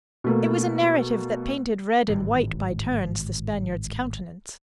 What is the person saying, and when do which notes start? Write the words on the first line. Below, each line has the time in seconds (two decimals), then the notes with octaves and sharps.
It was a narrative that painted red and white by turns the Spaniard's countenance.
0.24 B2 A3 A#3
2.08 G#1 A2 E3